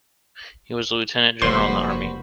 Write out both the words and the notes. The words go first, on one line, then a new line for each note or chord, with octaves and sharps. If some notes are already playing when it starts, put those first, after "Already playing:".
He was a lieutenant-general in the Army.
F1 G3 A#3 F#4 B4 C5 C6